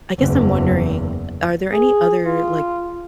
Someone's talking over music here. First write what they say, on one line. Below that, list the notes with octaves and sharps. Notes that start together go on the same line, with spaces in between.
I guess I'm wondering, are there any other, like,
F#1 E2
G#4
F4